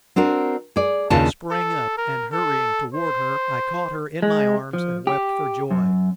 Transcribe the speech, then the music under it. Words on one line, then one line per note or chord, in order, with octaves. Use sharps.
I sprang up, and, hurrying toward her, I caught her in my arms and wept for joy.
C4 D4 F#4 A#4
G#4 D5
D#2 C#3 D4 F4 C#5 A5
A4
A#4
A4
C5
G#3
F3
G4
F#2